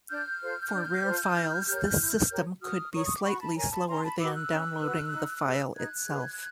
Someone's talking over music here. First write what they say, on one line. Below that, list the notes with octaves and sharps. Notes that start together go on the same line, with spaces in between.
For rare files this system could be slightly slower than downloading the file itself.
D4 F6 G6
F4 A4 C5
D4
F4 A4 C5
E4
G4 A#4 C#5
E4
G4 A#4 C#5
F#4 D#6 F6
A#4 C#5 C#6 D#6
D#6
D6
F#4 B5 C#6
A5 B5
A#4 C#5 G#5 A#5
A5 B5
C#4 A#5 C6
A5 B5
F#4 B4 D6 E6
E6 F#6
C#4
F#4 B4
D#4
G#4 B4
D#4 F#6 G#6
G#4 B4